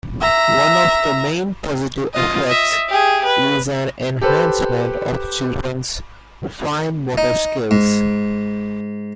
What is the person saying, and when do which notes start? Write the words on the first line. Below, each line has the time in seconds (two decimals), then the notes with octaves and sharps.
One of the main positive effects is an enhancement of children's fine motor skills.
0.21 E5 A#5
2.13 F4 D#5
2.46 D#5 E5
2.88 G4 G#4
3.25 B4
4.21 G4 A4 B4 C5
7.18 D#4
7.71 G#2